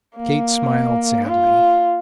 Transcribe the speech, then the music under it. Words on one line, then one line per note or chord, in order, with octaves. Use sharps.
Kate smiled sadly.
A#3
F4